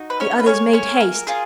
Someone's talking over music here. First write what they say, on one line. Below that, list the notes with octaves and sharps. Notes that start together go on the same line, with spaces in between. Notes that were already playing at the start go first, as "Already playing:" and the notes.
The others made haste.
Already playing: D#4 F#4
B4
C#4 C#5
B4
A#3 C#4 G#4 C#5
C#4 C#5
A#4
C#4 F4 G#4